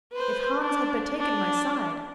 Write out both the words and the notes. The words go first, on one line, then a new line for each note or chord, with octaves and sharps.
If Hans had but taken my side!
B4 C5
D4
D4